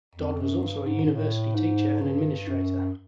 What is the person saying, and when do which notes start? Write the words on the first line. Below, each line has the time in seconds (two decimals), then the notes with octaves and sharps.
Dodd was also a university teacher and administrator.
0.16 F2
0.40 F#2
0.62 G2
0.86 G#2
1.05 G#2
1.08 A2
1.55 G#2
2.01 G2
2.48 F#2